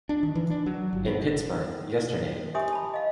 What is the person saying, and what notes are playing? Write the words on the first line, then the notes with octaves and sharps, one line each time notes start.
In Pittsburgh, yesterday!
D4
D#3
E3
D4
F#3
G1
B2
G4 C#5 E5 G#5 C6 D#6
A5 B5
D#5 F5